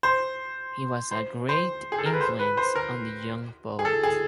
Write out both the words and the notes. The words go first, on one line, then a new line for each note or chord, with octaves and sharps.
He was a great influence on the young poet.
C5
C5
C5
G#4
A4
A#4
B4
C5
B4
C5
A#4
G#4
A4
G#4